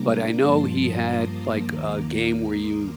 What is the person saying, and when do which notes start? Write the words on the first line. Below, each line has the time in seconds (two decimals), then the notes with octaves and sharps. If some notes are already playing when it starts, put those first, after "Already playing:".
but I know he had, like, a game where you
Already playing: C3 G3 A#3 D4 A#5 D6
0.41 G2 F3 A#3 A5 C6
0.71 C6 D#6
1.01 A#5 D6
1.63 D#2 D#3 A#3
2.23 A#5 D6
2.54 C6 D#6